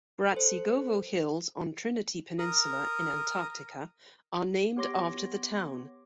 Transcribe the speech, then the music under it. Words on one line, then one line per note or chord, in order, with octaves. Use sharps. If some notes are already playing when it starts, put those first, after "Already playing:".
Bratsigovo Hills on Trinity Peninsula in Antarctica are named after the town.
A4 C5
A#4 D#6
B3 G4 C#5 C6 D6 A#6